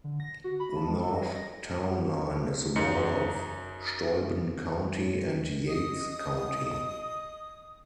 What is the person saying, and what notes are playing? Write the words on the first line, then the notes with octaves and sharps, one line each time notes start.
The north town line is the border of Steuben County and Yates County.
D3
A#6
F#4
B5
A5
G#3
A4
D#5
A#6
F#2 D#4 C#7
D#5 D#6